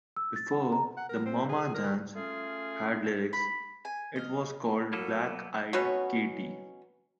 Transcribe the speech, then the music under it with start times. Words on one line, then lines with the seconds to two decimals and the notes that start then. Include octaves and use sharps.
Before "The Moma Dance" had lyrics, it was called "Black-Eyed Katy".
0.17 E6
0.36 A6
0.52 F#5
0.72 A#5
0.97 F#5
1.09 A#4
1.26 C4
1.49 G#4
1.74 A#4
2.15 A3 C#4 F4 G#4
3.33 B5
3.85 G#5
4.16 D#5 F5
4.93 F#3 A#3 B3 F#4 A4 A#4
5.73 B2 F#3 B3 C#4